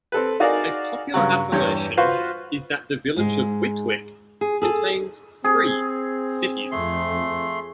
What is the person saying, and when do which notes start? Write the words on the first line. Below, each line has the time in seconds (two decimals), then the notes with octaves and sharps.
A popular affirmation is that the village of Whitwick contains three 'cities'.
0.12 C4 A4 B4
0.40 D#4 F#4 G#4 A#4 D5 F5
1.14 G2 C#3 F#3
1.52 E2 G2 G4 C#5
1.97 F4 F#4 B4 C5 F5 C#6
3.16 G#2 G#3
4.41 G#4
4.62 G#4 A4
5.44 C4 G#4
6.71 F2 A3 C6